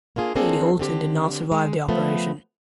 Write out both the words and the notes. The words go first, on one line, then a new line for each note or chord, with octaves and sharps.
Katie Holton did not survive the operation.
A#3 D4 F4 G#4
A#3 C4 D4 F4 G#4 A4
D3 C4 G4
G#3
C#3 F3 A3 B3